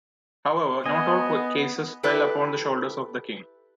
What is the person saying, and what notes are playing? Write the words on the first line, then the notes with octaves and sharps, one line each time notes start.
However, not all cases fell upon the shoulders of the king.
B3 D#5 G#5
E4 G4 A4 B4